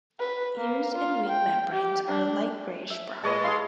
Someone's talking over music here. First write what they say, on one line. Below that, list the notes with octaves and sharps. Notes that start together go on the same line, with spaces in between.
Ears and wing membranes are a light greyish brown.
B4
A#3
F4
G5
G4
D4
E5
A#2 G#3 B4 C#5 D#5 A5
E4 G#4 F5 C6